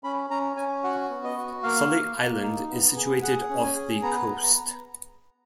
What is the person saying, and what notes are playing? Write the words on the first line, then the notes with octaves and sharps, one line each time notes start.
Sully Island is situated off the coast.
C#4 B5
C#4 A#5
C#4 G#5
F#4 F#5
B3
D#5
F#4
A#3 F5
A#3
A#3
D#4
B3
G#4
G#4 F#5
C#4
G#5
G#4
B3 A#5
B3
A#5